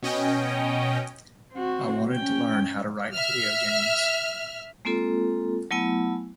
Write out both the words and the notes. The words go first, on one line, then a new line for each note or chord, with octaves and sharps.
I wanted to learn how to write videogames.
B2 C#4 D#5 G5
C4 F#4
C#4 G5
E5 F6
G#3 A#3 C4 F4 A4
F#3 A3 B3 E4 G#5